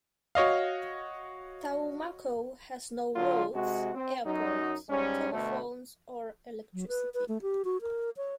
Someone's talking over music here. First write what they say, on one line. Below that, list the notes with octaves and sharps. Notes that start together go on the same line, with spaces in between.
Taumako has no roads, airport, telephones, or electricity.
F#4 C#5 D#5 F5
D3 F#3 F4
C3 G#3 F#4
C4
F#2 F#3 D#4
G#2 G3 C#4
D2 B2 A3
F#3
B4
B4
A3
G4
F#4
A#4
C#5